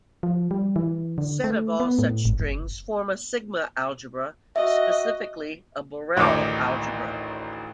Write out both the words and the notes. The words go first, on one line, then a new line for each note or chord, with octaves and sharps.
The set of all such strings form a sigma algebra, specifically, a Borel algebra.
F3
G3
E3
D3
A3
B3
A2
G#1
F#1
F#4 D#5 E5
A1 D2 D#3 D#4 C#5 D6